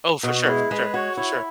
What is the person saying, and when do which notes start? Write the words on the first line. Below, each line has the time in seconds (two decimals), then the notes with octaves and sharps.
Oh, for sure, for sure, for sure.
0.23 B2 F#4
0.47 G#3 E4
0.70 G#3 B4
0.94 F#4 C#5
1.17 E4 C#5